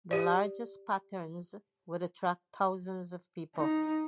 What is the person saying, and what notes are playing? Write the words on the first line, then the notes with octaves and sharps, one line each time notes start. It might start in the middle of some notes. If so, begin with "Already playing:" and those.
The largest patterns would attract thousands of people.
G4 D5
D#4